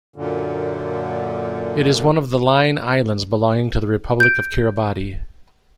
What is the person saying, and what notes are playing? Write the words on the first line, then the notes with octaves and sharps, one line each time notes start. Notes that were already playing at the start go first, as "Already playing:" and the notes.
It is one of the Line Islands belonging to the Republic of Kiribati.
F#2 A#2 D3
G6 D7